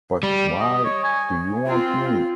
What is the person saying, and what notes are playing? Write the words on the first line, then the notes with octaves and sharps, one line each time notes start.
But why do you want me?
G3
D#5
C#5
G#5
C4 F4